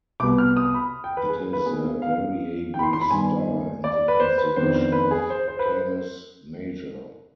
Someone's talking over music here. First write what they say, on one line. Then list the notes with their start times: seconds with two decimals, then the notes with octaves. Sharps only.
It is a variable star in the constellation of Canis Major.
0.20 C2 B2 G3 B3 D6
0.38 F6
0.57 D#6
0.74 B5
1.04 G5
1.17 B4
1.29 G#4
1.53 B4
1.65 B2 B3 D4 G#4
2.02 F5
2.74 G5
2.79 B5
2.83 C6
2.93 C6
3.01 B5
3.11 G2 D#3 B3 D4 G#5
3.84 D5
4.08 B4
4.20 C5
4.38 B4
4.56 F2 D#3 B3 D4 C5
4.74 C5
4.92 B4
5.11 G#4
5.30 C5
5.48 C5
5.59 B4
5.66 C5